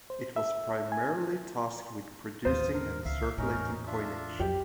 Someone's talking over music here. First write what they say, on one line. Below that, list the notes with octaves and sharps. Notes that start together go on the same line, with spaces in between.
It was primarily tasked with producing and circulating coinage.
C5
E5
G#5
D#2 A2 F4 C5 D#6
A#4
C#2 E5 F5
E2 A2 C#4 D#4 A#4
D4 F4 E5
F2 F#3 G4